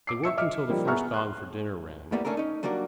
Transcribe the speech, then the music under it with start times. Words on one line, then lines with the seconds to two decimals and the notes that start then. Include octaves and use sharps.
They worked until the first gong for dinner rang.
0.07 D6 C7
0.23 E5 E6 C#7
0.37 D#5 E5 D6 F6
0.69 F3 G3 A#3 D#4
0.87 B3 G#4 E5 A#5 C#6 F6
1.14 C6 F#6
2.12 A2 G3 A#3 B3
2.25 A3 C#4 D4 A4 A#4
2.37 C#4 D#4
2.63 F#3 G3 A#3 D4 F#4